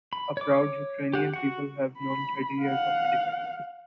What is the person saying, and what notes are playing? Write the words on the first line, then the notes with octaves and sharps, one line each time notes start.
A proud Ukrainian people have known thirty years of independence.
B5
C#5 D6
G4 F#5
F#4 F#5
B5
F5 F#5